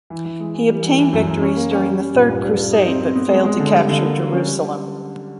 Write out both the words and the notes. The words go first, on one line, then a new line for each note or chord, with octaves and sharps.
He obtained victories during the Third Crusade, but failed to capture Jerusalem.
E3
E3
G#3
E3
G3
E3
E3
F#2
F#2
C#4
A#3
C#4
G3
C#4
A#2
G2
G2
G2
D#4
C4
C4
B3
G#3
G#3
D3
G3
D3
A#3
F#3
C#4
G3